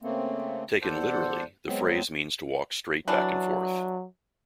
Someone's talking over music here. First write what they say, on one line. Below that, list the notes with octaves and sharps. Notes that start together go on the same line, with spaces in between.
Taken literally, the phrase means to walk straight back and forth.
C#3 A3 A#3 C4
E2 A4 C5 D5 F#5
F#3 G#3 B3 C4
E3 F#3 D4